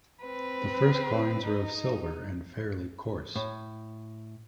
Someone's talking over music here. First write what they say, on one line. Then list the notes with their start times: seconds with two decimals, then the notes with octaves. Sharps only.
The first coins were of silver and fairly coarse.
0.24 C4 B4
1.46 D#4
3.36 A2